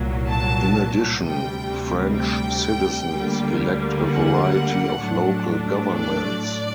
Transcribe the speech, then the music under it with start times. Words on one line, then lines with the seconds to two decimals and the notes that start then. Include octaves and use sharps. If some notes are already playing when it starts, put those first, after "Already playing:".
In addition, French citizens elect a variety of local governments.
Already playing: C2 A#2 F#3
0.28 A5
1.23 D2 C3 G3 G5
2.17 G5
3.12 D2 D3 G3 A#3
4.06 F#5
5.01 A2 F#3 A3 D4
5.95 D5